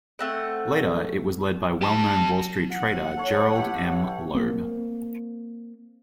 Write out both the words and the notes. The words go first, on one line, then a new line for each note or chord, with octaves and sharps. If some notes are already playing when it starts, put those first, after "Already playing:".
Later, it was led by well known Wall Street trader Gerald M. Loeb.
A3 C4 F#5
G4 A5
F#5
A4 C#5
E4 G4 B4
A#3 C4